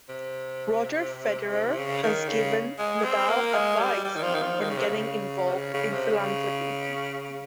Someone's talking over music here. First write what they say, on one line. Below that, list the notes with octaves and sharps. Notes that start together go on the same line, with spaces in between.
Roger Federer has given Nadal advice on getting involved in philanthropy.
C3
C#3
D#3
C#3
G#3
C4
A#3
G#3
G3
G3
D#3
F3
D#3
F3
D#3
C#3
C3
C#3
C3
C#3
C#3
C3
C#3